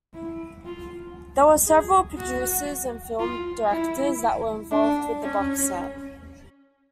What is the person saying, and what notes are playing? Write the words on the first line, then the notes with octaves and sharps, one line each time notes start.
There were several producers and film directors that were involved with the box set.
E4
F4
G#4
F#4
F4
E4
D4
C#4